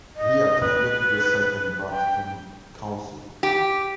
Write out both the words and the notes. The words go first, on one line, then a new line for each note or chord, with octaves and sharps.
He attended the Second Vatican Council.
D#5
B4
G5
G4